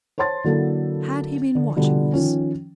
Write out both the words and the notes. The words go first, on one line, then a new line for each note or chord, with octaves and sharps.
Had he been watching us?
C5 C#5 A5 C6 A6
D3 F#3 A#3 E4 A4
D3
B2 D3 F3 G3
D#3 F3 C#4